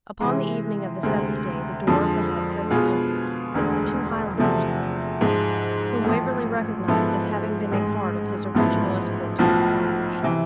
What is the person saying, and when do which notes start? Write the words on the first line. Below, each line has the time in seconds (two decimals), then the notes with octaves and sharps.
Upon the evening of the seventh day the door of the hut suddenly opened, and two Highlanders entered, whom Waverley recognised as having been a part of his original escort to this cottage.
0.20 C3 E3 G#3
1.03 D2 C3 G#3
1.87 F2 D3 F3 G#3
2.70 B2 G#3 B3 F4 G#4
3.54 E1 D2 D3 G#3
4.37 E2 C3 F3 A3
5.21 G#2 F3 G#3
6.04 A1 A2 F3
6.88 G#2 F3 B3 E4 A4
7.72 A1 G#2 G#3
8.55 A1 G#2 F3 B3 E4
9.39 B1 A2 F3 B3 F4
10.22 C3 E3